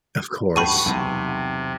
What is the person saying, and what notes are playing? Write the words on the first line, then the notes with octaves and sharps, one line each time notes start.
Of course.
D2 G2 F#5 G5 A5 B5 C#6 D#7
B1 E2 C3